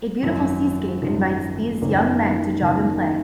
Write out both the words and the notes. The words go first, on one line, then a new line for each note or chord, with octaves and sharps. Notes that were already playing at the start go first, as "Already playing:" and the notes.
A beautiful seascape invites these young men to jog and play.
G#1 F#2 F3
G#1 F#2 F3
F#1 F#2 D#3 A#3
F#1 F#2 D#3 A#3